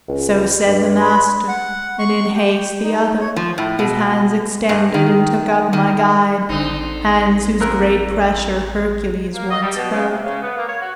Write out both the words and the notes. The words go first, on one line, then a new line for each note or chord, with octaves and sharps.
So said the Master; and in haste the other His hands extended and took up my Guide,-- Hands whose great pressure Hercules once felt.
C#2
G2
B5
F#5
C#6
G4
D#4
C#5
F3
A2
B2
G2
D#3
D#3
A1 D3 C4 D#4
F2 A#4 F#6
A#3
D#5
G3
B2
C#3
C3
C#3
B3
A#3
C#5
F#4